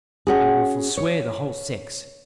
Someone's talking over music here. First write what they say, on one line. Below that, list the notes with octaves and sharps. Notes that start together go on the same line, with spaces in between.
I will forswear the whole sex.
C#4 F#4 G#4
C#5